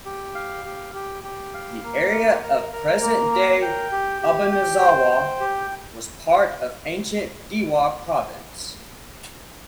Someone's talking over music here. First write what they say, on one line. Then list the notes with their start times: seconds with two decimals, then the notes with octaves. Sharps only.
The area of present-day Obanazawa was part of ancient Dewa Province.
0.06 G4
0.35 F5
0.65 G4
0.94 G4
1.24 G4
1.54 F5
1.84 A#3
2.13 A#4
2.43 A#4
2.73 A#4
3.02 A#3
3.32 A#4
3.62 G5
3.92 G4
4.22 G4
4.51 G5
4.81 C5
5.11 G5
5.41 G4